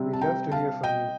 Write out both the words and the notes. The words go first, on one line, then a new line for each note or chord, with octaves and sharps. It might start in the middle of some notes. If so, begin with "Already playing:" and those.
We’d love to hear from you.
Already playing: C3 G3 C4
A5
G5 A#5
F5 A5
D#5 G5